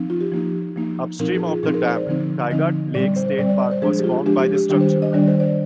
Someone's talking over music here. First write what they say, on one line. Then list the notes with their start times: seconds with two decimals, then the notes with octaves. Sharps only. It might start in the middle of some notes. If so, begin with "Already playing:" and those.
Upstream of the dam, Tygart Lake State Park was formed by this structure.
Already playing: F3 C4 D#4
0.10 F4
0.21 G4
0.32 F3 A#3 D#4
0.76 F3 A#3 D#4
1.19 A#2 F3 C4 D#4 A#4
1.35 G#4
1.49 F4
1.63 A#2 F3 C4 D#4 G#4
1.74 A#4
1.85 C5
1.96 D5
2.07 D3 F3 C4 D#4
2.50 D3 F3 C4 D#4 D#5
2.94 A#2 G3 C4 D5
3.16 C5
3.38 A#2 G3 C4 D5
3.49 D5
3.60 D5
3.71 C5
3.82 F3 G#3 D4 G#4
3.99 G4
4.04 F4
4.26 F3 G#3 D4 G4
4.40 G4
4.55 G4
4.69 D#3 G3 D4 G4
4.81 C5
5.02 D#5
5.13 D#3 G3 D4 D5
5.28 C5
5.40 D5